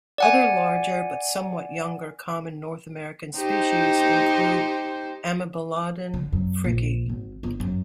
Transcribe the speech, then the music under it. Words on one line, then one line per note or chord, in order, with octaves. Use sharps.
Other larger but somewhat younger common North American species include "Amebelodon fricki".
D5 F#5 G#5
D#4 G4 C5
D3
F#2
A#1
G#1
G1
F#2